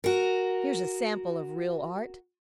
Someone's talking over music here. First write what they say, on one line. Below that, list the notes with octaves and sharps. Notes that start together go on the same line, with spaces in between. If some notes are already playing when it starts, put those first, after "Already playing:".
'Here's a sample of real Art.
F#4 A#4